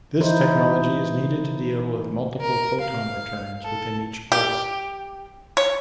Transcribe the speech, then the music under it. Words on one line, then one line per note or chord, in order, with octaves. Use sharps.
This technology is needed to deal with multiple photon returns within each pulse.
E3 D#4 E4 C5
A#4
F5
A4
G4
C#5